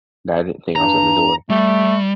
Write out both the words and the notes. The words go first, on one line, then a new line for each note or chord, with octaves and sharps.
That, I didn't think I was gonna enjoy.
G2 A#5
G3 A3